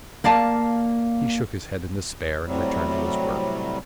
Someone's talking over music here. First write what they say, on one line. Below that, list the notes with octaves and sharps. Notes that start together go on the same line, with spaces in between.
He shook his head in despair, and returned to his work.
A#3 D5 F5 A5
A2 C3 F#3 G3